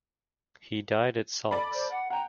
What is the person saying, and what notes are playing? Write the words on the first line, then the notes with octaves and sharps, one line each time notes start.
He died at Saulx.
A4 D5 B5
C5
F#5
F#5 G5 A#5